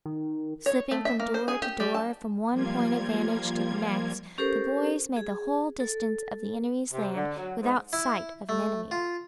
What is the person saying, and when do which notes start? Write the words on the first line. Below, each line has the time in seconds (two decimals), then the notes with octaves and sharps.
Slipping from door to door, from one point of vantage to the next, the boys made the whole distance of the enemy's land without sight of an enemy.
0.06 D#3
0.66 C#5
0.91 A3
1.05 E5
1.20 A#3
1.34 C5
1.48 G#4
1.62 G4
1.80 G3
1.94 A5
2.51 F3 G3 A#3 F4 G#6
4.38 C#4 G4 A4 A#4 C5
5.16 G#4
5.80 A4
6.92 C3
7.15 D3
7.37 F#3
7.62 G#2
7.93 E4
8.49 A3
8.91 F4